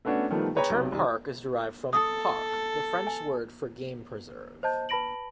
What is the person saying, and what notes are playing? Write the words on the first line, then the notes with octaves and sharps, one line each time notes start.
The term park is derived from "parc", the French word for game preserve.
A3 B3 C#4 D4 F#4
D#3 F3 G3 A3 B3
G#4 B4 C#5 G5 A#5 B5
B1 C3
C2 D#3
A4 D#6
G#5
C5 D#5 A5 G6
B4 A5 B5 A#6 D7 F#7